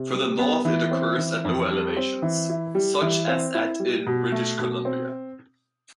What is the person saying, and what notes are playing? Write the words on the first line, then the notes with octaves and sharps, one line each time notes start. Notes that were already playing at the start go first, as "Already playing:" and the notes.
Further north it occurs at lower elevations, such as at in British Columbia.
Already playing: C3
G3
B3
E3
C4
E3
F2
G3
C4
E3
E4
G3
E3
C4
E4
G3
B2
A3
B2
C4